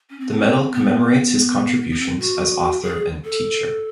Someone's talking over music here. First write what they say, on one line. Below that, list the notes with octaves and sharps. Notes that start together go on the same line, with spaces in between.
The Medal commemorates his contributions as author and teacher.
C#4
C4
B3
C4
B3
B3
C4
F#4
G#4
A4